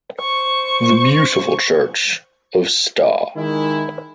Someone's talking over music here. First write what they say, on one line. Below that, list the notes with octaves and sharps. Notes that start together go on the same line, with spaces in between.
The beautiful church of Sta.
C5 C#6
D#3 G#3 E4